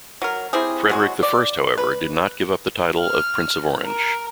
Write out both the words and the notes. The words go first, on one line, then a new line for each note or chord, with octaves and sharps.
Frederick I, however, did not give up the title of Prince of Orange.
F#3 A#4
C4 E4 G4 G#4
F#3 G#3 F#4
D5
B4
F6
A#4